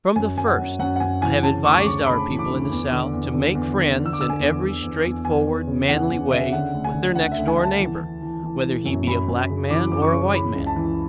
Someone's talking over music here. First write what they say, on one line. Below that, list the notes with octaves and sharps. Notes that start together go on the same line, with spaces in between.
From the first, I have advised our people in the South to make friends in every straightforward, manly way with their next-door neighbour, whether he be a black man or a white man.
F#2 G#5
F#2 G#5
F#5
F#2
F#2 F#5
F#5
F#2 G#5
E3 G#5
C#3 A5
D2 C#6
D6
C#3 C#6
D2 B5
E3
D6
D2
E2
D3
E2
D3
E2
D3
D3
E6
D6
D3 E6
G#5
E2
D3
E2
E2
E2 G#5
E2
C#3
E3 F#5
E2
C#3 E5
D3 F#5
D2
G#5
D3
D2 F#5
E5
D2
G#5
D2
A5
E3
E3
E3
E3
E3
F#2
F#2 B5
F#2
C#3
E3 D6
F#2 D6
C#6
C#3
E3 B5
C#2
A5
E3